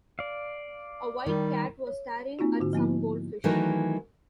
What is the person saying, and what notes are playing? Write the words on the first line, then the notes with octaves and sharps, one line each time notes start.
A white cat was staring at some goldfish.
D5 F5
D#3 G3
C#5
A#3 C4 D#4 F4 F#4
G#2 D3 F#4
F3 A#3 B3 E4
D#3 E3 F#3 A3 D#4 A#4